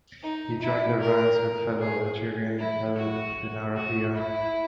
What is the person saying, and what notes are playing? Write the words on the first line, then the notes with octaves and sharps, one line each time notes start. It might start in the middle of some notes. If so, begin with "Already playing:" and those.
He joined ranks with fellow Algerian, Ali Benarbia.
D#4
E4
A#4
G#4
E4
F#4
F#4
E4